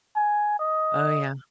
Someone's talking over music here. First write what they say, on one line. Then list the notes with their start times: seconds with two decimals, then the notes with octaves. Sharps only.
Oh, yeah.
0.16 G#5
0.59 D#5